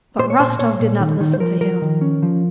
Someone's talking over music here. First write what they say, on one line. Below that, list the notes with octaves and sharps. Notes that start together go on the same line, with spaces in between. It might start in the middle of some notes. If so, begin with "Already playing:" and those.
But Rostov did not listen to him.
A#2 C5
C#5
A#2 C5
A#2 C#5
A#2
D#3
D#3
C5
F3 A#4
F3 A#4
D#3
C#4
F3